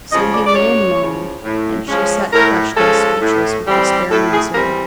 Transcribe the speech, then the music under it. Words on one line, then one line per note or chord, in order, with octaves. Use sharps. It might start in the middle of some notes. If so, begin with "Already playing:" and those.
So he lay and moaned, and she sat crushed and speechless with despairing misery.
C#3 F3 D#5
D5
D5
F#2 C#5
C#3 F3
A2
F3 G#3 C#4
A2 A#4
F3 G#3 C#4 A4
A2
E3 G3 C4
A2 A4
G#4
E3 G3 C4 A#4